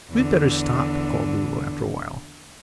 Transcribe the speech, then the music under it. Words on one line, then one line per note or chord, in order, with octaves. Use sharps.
"We had better stop," called Lulu, after a while.
E2 D3